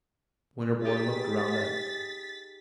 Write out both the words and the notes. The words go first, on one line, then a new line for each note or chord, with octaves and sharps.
Winterborne looked round at it.
D#4 G4 G#4 A6 B6